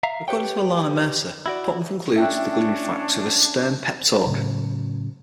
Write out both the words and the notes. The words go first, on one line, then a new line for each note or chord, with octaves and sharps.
According to Ilana Mercer "Putnam concludes the gloomy facts with a stern pep talk".
E5 F5 A#5
G4 B4 C#5 G5
E4 F#4 D5
C#4 D4 E5 G5 A5 F#6
A2 C#3 F#3